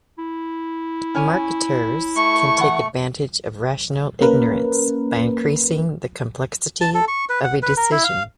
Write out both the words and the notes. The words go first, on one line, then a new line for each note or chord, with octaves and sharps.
Marketers can take advantage of rational ignorance by increasing the complexity of a decision.
E4
C#4 C#5 G#5
A3 C#6
E3 F#5
A#3 C#4 A#4 B4
A5
A4
C#6
B4
F#5
B4
A#4
E4
F5